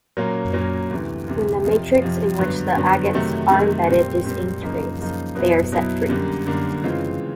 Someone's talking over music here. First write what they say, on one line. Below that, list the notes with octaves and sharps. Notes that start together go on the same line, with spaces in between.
When the matrix in which the agates are embedded disintegrates, they are set free.
A#2 F#3 A#3 C#4
A#2 F#3 A#3 C#4
D2 C3 E3
D2 C3 E3
F2 C3 F3
F2 C3 F3
G2 D3 F#3 B3
G2 D3 F#3 B3
C3 D#3 F#3 A3
C3 D#3 F#3 A3
A#2 G3 C4
A#2 G3 C4
F#2 C#3 F3 A#3 D#4
F#2 C#3 F3 A#3 D#4
B2 F#3 B3 E4
B2 F#3 B3 E4
F#2 D3 G3 A#3
F#2 D3 G3 A#3
C#3 E3 G#3 C4 F4